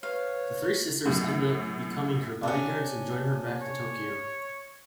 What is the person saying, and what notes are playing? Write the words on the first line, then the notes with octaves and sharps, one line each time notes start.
The three sisters end up becoming her bodyguards and join her back to Tokyo.
B4 C#5 F5
F#2 A2
C3 C#4 D4
C#5